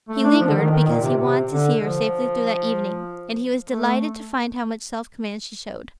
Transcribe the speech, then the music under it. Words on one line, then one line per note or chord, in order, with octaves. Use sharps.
He lingered, because he wanted to see her safely through that evening, and he was delighted to find how much self-command she showed.
A3
D4
F3
D3
D#3
D#3
A#2
C3
C3
D3
F3
A3